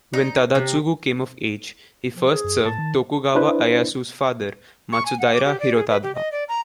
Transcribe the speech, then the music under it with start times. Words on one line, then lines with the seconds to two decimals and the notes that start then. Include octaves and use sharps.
When Tadatsugu came of age, he first served Tokugawa Ieyasu's father, Matsudaira Hirotada.
0.13 D#4
0.55 C3
2.15 F3
2.29 G#4
2.44 F#2
2.65 A2 A5
2.78 D#3
3.35 D4 E4 B4 C5
4.92 C#6
5.06 G#5
5.20 F#5
5.34 D6
5.45 G4
5.60 D5
5.74 G#4
5.89 B4
6.03 G4
6.15 D#5
6.32 D5
6.49 A#5